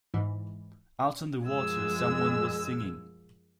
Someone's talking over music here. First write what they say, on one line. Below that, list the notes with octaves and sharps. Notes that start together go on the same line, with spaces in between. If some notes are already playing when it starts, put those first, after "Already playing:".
Out on the water someone was singing.
G#2 E3
F#2 F3 G#3 E6 G#6